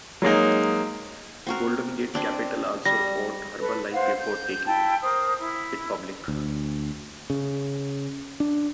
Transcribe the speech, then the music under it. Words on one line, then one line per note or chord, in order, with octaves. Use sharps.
Golden Gate Capital also owned Herbalife before taking it public.
F#3 G#3 A#3 D#4
C4 F#4 A#4
C4 D4 D5
G3 A#6
A4 B4
C5 F5 F#5
G6
E4 G5 A5
A#4 C5 D#6
E4
D2
C#3
D4